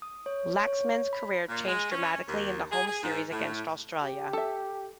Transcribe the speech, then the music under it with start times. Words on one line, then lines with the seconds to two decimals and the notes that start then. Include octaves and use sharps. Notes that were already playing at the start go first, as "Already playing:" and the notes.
Laxman's career changed dramatically in the home series against Australia.
0.02 D#6
0.26 C#5
0.67 C#5
1.13 B5
1.49 A#2
1.67 G#3
1.91 C#4
2.28 D#2
2.72 G#4
2.87 G#4
3.02 G#2
3.32 A2
4.03 G4
4.33 A4 E5